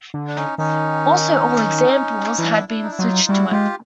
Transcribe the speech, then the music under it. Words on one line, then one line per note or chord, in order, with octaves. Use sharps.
Also all examples had been switched to it.
D3
D4
C#4 D#4
D#3 C#4 D#4
E3 D4 E4
D4 E4
D#4
E4
F#3 D#4 F4
G3 E4 F#4
G#4
G#3 F4 G4